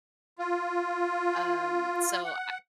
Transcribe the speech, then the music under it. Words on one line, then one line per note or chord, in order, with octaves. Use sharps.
Um, so I
F4
F#5